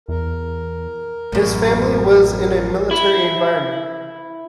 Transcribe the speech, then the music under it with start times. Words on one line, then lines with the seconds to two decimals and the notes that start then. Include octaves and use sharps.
His family was in a military environment.
0.08 E2 A#4
1.32 A1 F#2 A2
2.91 E4